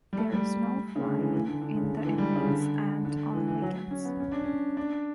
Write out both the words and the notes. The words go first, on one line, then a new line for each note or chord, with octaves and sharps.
There is no flying in the evenings and on weekends.
G3
A3
G3
C#3
D3
E3
E3
D3
D3
C#3
D3
E3
G3
C#3
D3
D3
E3
E3
F#3
C#4
B3
C#4
D4
C#4
D4